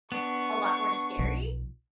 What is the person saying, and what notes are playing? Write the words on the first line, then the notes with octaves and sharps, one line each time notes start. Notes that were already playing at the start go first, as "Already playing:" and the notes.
a lot more scary.
B3 D4 C#6
B1 B2 F3